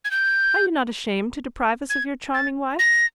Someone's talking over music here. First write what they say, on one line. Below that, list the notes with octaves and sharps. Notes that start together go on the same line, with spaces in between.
"Are you not ashamed to deprive us of your charming wife?"
G#6
G6
G#6
A6
A#6